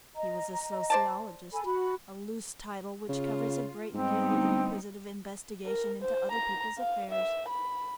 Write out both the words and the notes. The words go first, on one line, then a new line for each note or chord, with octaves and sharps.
He was a sociologist--a loose title which covers a great deal of inquisitive investigation into other people's affairs.
D#5 A#5
C5 D5 A5
A4 G#5 B5
F#4 B5
C#3 F4
G#2 G3 B3 C4 D#4
D2
A#4
C5
A#5
F5
E5
B5